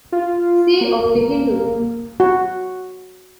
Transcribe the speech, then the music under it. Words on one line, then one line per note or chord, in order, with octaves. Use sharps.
C of The Hindu.
F4
A#3
F#4